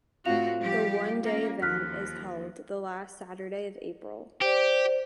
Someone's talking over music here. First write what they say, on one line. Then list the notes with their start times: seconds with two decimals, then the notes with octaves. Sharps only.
The one day event is held the last Saturday of April.
0.26 A2 C4 F4 F#4 F5 F7
0.59 F3 G3 G4
1.24 A#3 C#4
1.62 D#2 F3 F6 F#6 B6
4.41 G4 C5 D5